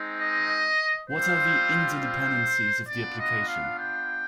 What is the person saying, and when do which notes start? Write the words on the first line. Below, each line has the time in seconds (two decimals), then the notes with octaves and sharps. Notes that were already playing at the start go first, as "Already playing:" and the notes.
What are the interdependencies of the application?
Already playing: G#3 C4 D#4
0.21 D#5
1.10 G3 C4 F4 C5
2.00 C5
2.89 B3 D4 F4 D5
3.19 D#5
3.48 F5
3.78 G5